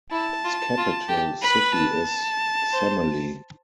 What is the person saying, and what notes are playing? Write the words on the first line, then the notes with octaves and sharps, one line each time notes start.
Its capital city is Semily.
E4 A5
F4
F4
G4
B4 B5
A5
C5